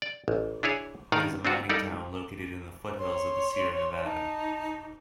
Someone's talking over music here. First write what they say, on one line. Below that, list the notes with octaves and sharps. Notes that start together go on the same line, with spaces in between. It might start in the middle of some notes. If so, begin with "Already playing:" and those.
It is a mining town located in the foothills of the Sierra Nevada.
D5
A1
D4 E4 G#4 C#5
A2 D#3 D#4 A#4 D5 F5
C4 D4 F4 F#4
G3 D#4 E4 A4 A#4 D5
C#5 C6
D#4 A5